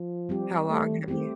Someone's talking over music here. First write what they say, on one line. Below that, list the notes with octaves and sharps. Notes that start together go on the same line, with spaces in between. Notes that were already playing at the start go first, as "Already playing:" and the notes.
how long have you
Already playing: F3
G3 C4 G4
A3
A3 C4 G4